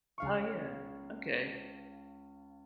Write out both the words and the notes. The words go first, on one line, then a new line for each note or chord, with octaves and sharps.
Uh, yeah, okay.
C#2 F5 C#6